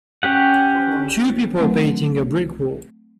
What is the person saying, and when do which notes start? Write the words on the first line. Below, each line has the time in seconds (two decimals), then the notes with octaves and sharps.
Two people painting a brick wall.
0.23 C#4 G4 F#5
1.59 F#3 A3 C4